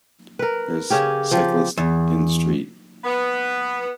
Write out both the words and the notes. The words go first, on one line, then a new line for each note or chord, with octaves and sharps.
There 's cyclist in street.
A#4 B4
C#3 C#4 G4
F3 G4
E2
B3